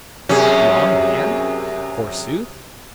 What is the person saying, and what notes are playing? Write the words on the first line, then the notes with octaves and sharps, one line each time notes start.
Beyond man, forsooth?
F#2 C3 C#4 G#4